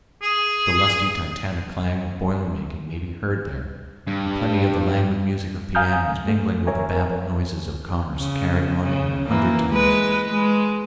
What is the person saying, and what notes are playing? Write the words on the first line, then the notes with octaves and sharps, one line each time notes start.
The lusty, titanic clang of boiler making may be heard there, and plenty of the languid music of pianos mingling with the babel noises of commerce carried on in a hundred tongues.
G#4
G2
F5 G#5 A#5 D#6 F6 G6
A3
A#4 C#5 E5 G#5
C#3
C#3
E3 A#3
G#3 B4
G#3